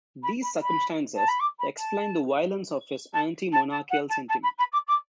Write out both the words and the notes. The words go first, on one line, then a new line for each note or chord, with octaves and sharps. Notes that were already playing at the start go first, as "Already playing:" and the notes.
These circumstances explain the violence of his anti-monarchical sentiment.
B5
B5
B5
A5
B5
D6
B5
A5
A5
A5
A5
F#5
A5
A5
B5
B5
D6
D6